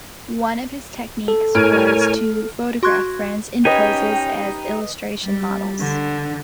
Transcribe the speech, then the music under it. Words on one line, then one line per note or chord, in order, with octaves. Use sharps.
One of his techniques was to photograph friends in poses as illustration models.
A4
A2 A#4 C#5 G#5 F6 D7
F#4 C6 C#6 F#6 G#6
C#4 D#4 G4 B4 D#5 G5 G#5
G3
D3